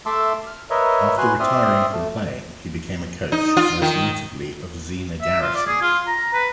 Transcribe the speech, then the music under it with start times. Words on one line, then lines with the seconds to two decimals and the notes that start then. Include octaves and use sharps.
After retiring from playing, he became a coach, most notably of Zina Garrison.
0.06 A3 E5 A5 C6 D6 E6
0.47 F6
0.70 A#4 B4 C#5 D#5 E5
1.18 F#4 B4 G#5 C6 F#6
1.40 C4 D5 E5 C6 D#6 F6
1.92 A3
3.32 D#4
3.57 F4
3.82 D#3
5.22 E5
5.42 F4
5.55 D5
5.67 G#4
5.82 F4
6.07 A#5
6.34 B4